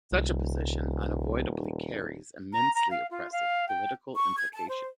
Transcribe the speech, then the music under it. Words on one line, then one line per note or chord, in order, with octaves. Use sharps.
Such a position unavoidably carries immensely oppressive political implications.
D#1 C2
A#5
A#5
F5
F4
F5
G5
C#6
G#6
A5
C5